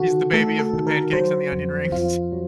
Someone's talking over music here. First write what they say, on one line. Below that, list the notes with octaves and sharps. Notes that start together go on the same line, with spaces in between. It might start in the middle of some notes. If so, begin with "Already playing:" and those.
She's the baby of the pancakes and the onion rings.
Already playing: D#3 F#4 A4
A3 A4
A4
D#3
A#4
F#3 C5
F2
F2 F4
F#3